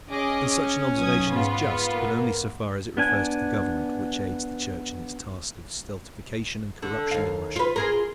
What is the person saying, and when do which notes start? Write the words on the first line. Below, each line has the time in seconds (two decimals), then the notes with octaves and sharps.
And such an observation is just, but only so far as it refers to the government, which aids the Church in its task of stultification and corruption in Russia.
0.10 C#4 G#4 D#5 D6
0.98 B1 D#6 G#6
1.31 G#2 B3 F4
1.93 A#3
2.97 B3 D4 G#5
6.82 D3
7.11 D#2 F5
7.56 F4 B4
7.76 F4 G#4 A#4